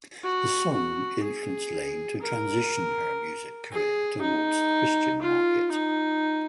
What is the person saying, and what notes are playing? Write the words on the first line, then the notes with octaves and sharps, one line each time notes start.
The song influenced Lane to transition her music career towards the Christian market.
F#4
F#4
G#4
A#4
G#4
D#4
F4
D#4